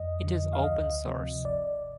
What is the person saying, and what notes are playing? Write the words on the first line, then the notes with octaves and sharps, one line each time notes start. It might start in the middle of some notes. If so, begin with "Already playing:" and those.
It is open source.
Already playing: F2 D#5
D3 F3
F5
D2 D#5
C3 F3
G1 D5